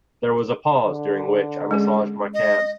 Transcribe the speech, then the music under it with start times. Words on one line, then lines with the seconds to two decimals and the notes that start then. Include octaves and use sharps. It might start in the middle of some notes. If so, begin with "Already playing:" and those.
There was a pause, during which I massaged my calves.
0.85 D3
1.71 G#3 C#4 G#4
2.34 D#5